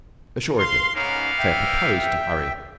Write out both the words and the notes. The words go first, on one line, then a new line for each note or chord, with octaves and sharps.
Assuredly Claire proposed to hurry.
F5 C6
G#2 A#3 B3 C#4 D#4 F5
E5 G5